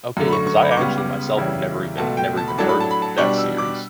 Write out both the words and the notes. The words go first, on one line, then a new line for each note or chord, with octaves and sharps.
Okay, yeah, 'cause I actually myself have never even never even heard of that series,
F#2 D3 A3
B5
C#6
C#6
B5
D6
C#2 C#3 G3 B3 C#6
D6
E2 C#3 G3 C#4 E4
C#2 B2 A3 A5
G5
A5
B5
A2 F#3 A3 D4 A5
B5
A5
B5
A5
B2 G3 D4 C#6
E6
D6